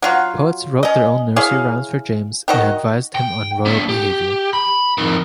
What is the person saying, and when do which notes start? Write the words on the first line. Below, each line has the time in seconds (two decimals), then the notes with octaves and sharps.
Poets wrote their own nursery rhymes for James and advised him on royal behavior.
0.02 F#3 F4 F#4
0.83 C#4 D#5
1.36 E4 G#4 C#5 F5
2.48 D#3 F#4 D#5
3.15 G5
3.66 B3 D4
3.89 G4
4.53 B5
4.98 F2 D#3